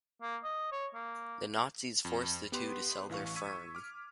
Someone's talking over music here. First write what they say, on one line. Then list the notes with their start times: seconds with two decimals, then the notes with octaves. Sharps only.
The nazis forced the two to sell their firm.
0.22 A#3
0.44 D#5
0.72 C#5
0.94 A#3
2.05 F2
2.52 B3 G4 B4 C6
3.09 A1 E3 F5 C#6
3.36 C#6 E6 G#6 B6 D#7
3.75 D6 F6